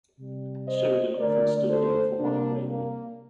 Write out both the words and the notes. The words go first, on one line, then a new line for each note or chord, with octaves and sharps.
Sheridan often stood in for Mike Graham.
C3 G3
C5 D#5
D3 A3 A#4 D5
A4 C5
C3 G3 A#3 D4
A#3